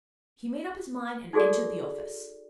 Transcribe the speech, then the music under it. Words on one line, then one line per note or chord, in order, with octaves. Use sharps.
He made up his mind, and entered the office.
D#4 F#4 G#4 A4 D5